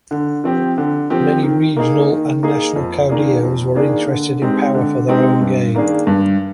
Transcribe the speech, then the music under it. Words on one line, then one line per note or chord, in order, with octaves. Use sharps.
Many regional and national caudillos were interested in power for their own gain.
D3
F3 C4 G4
D3
F3 C4 G4
D#3
A#3 D#4 G#4
D#3
A#3 D#4 G#4
F2
D#3 A#3 D4 G#4
F2
D#3 A#3 D4 G#4
D3
G#3 C4 D#4 G4
D3
G#3 C4 D#4 G4
G2
D#3 A#3 D4 G#4
G2